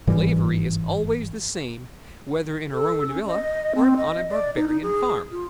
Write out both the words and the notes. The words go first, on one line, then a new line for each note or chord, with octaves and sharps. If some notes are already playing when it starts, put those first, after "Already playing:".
Slavery is always the same, whether in a Roman villa or on a Barbarian farm.
G1 G#2 E3 G3
A4
C#4
D#5
C4
D#5
D5
D#4
D#4
G#4
F4